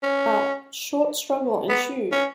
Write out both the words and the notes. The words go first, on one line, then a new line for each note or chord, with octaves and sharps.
A "short struggle ensued".
C#4
B3
C#4